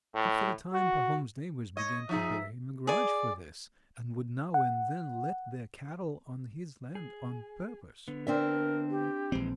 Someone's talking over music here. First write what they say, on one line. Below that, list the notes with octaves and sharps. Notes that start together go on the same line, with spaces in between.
After a time Pahom's neighbours began to bear him a grudge for this, and would now and then let their cattle on his land on purpose.
A2
F#4
C#5 D#5
F3 D#4 G#4 E5
G#4 D5
F#5
G#4
D3 B3
C4 D4 A#4 E5
G4
A#1 E3 G#3 C4